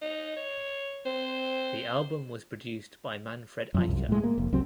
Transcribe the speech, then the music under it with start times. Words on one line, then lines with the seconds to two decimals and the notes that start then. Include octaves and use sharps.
The album was produced by Manfred Eicher.
0.02 D#4
0.37 C#5
1.06 C4 C5
3.74 F#2 F3
3.88 C2
4.09 A2 G#3
4.24 A#3
4.38 F1
4.52 C2 F#3 C4